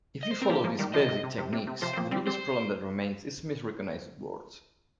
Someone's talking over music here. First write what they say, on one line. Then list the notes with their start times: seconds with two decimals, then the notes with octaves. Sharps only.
If you follow these basic techniques, the biggest problem that remains is misrecognized words.
0.23 D#5
0.31 C5
0.41 C4 A#4
0.49 F3 A#3 G4
0.64 F3 A#3
0.79 D#3 G3
0.94 C3 F3 D#5
1.09 C3
1.23 C3
1.38 C3
1.53 C3
1.67 C3
1.82 C3 F3 C5
1.93 C4
1.97 F3 A#3
2.11 G3 C4
2.26 G3 C4 C5